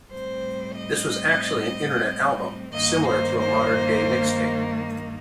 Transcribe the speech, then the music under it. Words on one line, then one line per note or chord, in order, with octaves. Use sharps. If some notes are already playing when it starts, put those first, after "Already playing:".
This was actually an internet album, similar to a modern-day mixtape.
A2 G3 C4 C5
D#5
G2 D#3 A#3 D#5
C5
C5